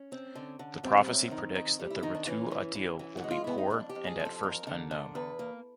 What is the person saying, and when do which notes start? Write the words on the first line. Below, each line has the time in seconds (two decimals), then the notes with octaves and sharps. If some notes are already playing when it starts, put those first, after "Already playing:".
The prophecy predicts that the Ratu Adil will be poor and at first unknown.
Already playing: C#4
0.12 C4
0.35 D3
0.59 D3
0.84 G3 C4
1.08 F#2
1.31 D#3
1.55 D#3
1.79 G3
1.90 E4
2.03 D#3 D#4
2.15 D4
2.27 E3 C#4
2.51 E3
2.75 E3
2.99 E3
3.17 F#4
3.24 G#3
3.31 F4
3.44 B3 E4
3.58 D#4
3.70 F2 D4
3.89 G4
3.95 F2
4.07 G#4
4.20 F3
4.25 A4
4.43 F2 A#4
4.67 D3
4.91 D3
5.15 E2 B4
5.39 A#3